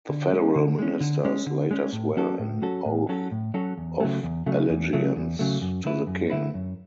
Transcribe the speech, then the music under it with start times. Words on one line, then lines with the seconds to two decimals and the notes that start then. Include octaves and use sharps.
The federal ministers later swear an oath of allegiance to the king.
0.09 D3
0.32 G#3 C#4
0.55 D3
0.79 G#3 C#4
1.00 D3
1.25 G#3 C#4
1.46 D3
1.71 G#3 C#4
1.93 A2
2.17 F#3 C#4 F#4 A4
2.39 A2
2.62 F#3 C#4 F#4 A4
2.85 A2
3.09 F#3 C#4 F#4 A4
3.31 A2
3.54 F#3 C#4 F#4 A4
3.78 E2
4.00 C#3 F#3 A3
4.23 E2
4.46 C#3 F#3 A3
4.69 E2
4.93 C#3 F#3 A3
5.16 E2
5.39 C#3 F#3 A3
5.61 F#2
5.85 D3 A3 E4 B4
6.07 F#2
6.30 D3 A3 E4 B4
6.54 F#2